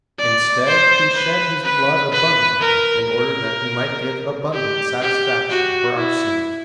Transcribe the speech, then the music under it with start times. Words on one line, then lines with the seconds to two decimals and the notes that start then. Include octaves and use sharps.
Instead, He shed His blood abundantly in order that He might give abundant satisfaction for our sins.
0.19 D5
0.67 C5
1.16 B4
1.65 B4
2.12 B4
2.60 A#4
3.09 A#4
4.53 G4
5.01 G4
5.50 F#4
5.97 E4